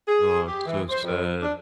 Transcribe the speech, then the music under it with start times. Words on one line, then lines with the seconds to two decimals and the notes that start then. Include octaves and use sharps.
Oh, it's so sad.
0.08 G#4
0.47 G4
0.65 E3
0.89 C5
1.03 F2
1.41 D4